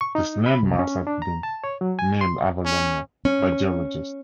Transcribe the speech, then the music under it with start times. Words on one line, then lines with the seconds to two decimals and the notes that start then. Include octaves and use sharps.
This land-mass has been named Avalonia by geologists.
0.01 C#6
0.15 D#4
0.46 B5
0.63 C2
0.79 C#4
1.07 D4
1.22 A#5
1.43 A5
1.64 C#5
1.81 F#3
1.99 G#5
2.21 C6
2.65 C#4
3.25 C#4